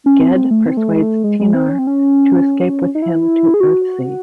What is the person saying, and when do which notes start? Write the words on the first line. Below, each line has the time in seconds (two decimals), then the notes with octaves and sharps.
Ged persuades Tenar to escape with him to Earthsea.
0.06 C#4
0.20 C4
0.36 C4
0.51 A3
0.66 C4
0.77 A3
0.90 G#3
1.02 A3
1.24 G#3
1.39 G#3
1.54 C4
1.69 C#4
1.79 C4
1.87 C#4
2.95 D#4
3.02 E4
3.54 G#4
3.60 F#4